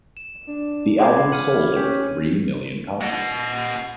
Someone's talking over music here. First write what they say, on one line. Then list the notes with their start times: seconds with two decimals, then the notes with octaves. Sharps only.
The album sold over three million copies.
0.17 E7
0.47 D4
0.99 G#3 C4 F4 B4 D6 G#6
1.32 F#5 F6 D#7 F#7
1.76 C#4 G4
3.01 D#5 F#5